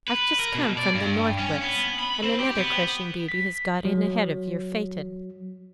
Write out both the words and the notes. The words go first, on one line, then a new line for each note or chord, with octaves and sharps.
"I've just come from the Northwicks, and another crushing beauty has got in ahead of your phaeton."
B4
A#4
B2
D5
G2
C#4
B3
B5
C4
G4
B3
B6
F#3